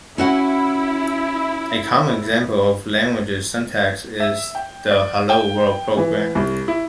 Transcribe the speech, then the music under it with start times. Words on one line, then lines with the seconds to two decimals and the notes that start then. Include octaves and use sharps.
A common example of a language's syntax is the Hello world program.
0.18 C#4 E4 F#4 F#5
4.20 E5
4.55 G5
4.91 D5
5.29 G5
5.97 E3
6.35 C2
6.68 E4